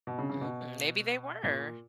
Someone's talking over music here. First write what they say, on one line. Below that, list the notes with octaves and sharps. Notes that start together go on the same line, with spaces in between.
Mm, maybe they were.
B2
C#3
C#3
B2
A#2